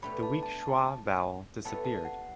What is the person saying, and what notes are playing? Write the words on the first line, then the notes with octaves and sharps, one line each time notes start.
The weak schwa vowel disappeared.
B2 A3 D4 G4 C#5 B5
A5
A5
A5
G3 B3 E4 A4 C#5 A5
A5
F#5